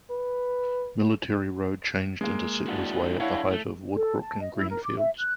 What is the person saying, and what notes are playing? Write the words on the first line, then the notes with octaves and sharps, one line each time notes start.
Military Road changed into Settlers Way at the height of Woodbrook and Greenfields.
B4
G#3 A#3
D4 E4 F#4
D4 E4 C#5 F5 F#5
A3
A4
A5
D#5
E4
A#4
D6
E5
F#6